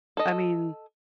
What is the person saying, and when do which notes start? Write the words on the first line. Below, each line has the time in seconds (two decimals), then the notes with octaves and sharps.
I mean,
0.17 A4 D#5